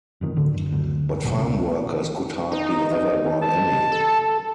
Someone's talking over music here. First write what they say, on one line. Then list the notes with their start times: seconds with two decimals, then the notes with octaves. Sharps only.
But farm workers could hardly ever buy any.
0.21 E1 F2 D#3
0.36 D2 A2 D3
0.54 F#1
0.72 F#1 D2
1.23 E1 B1 A#2
1.38 C#2
2.52 D#4
3.42 A5
3.92 A4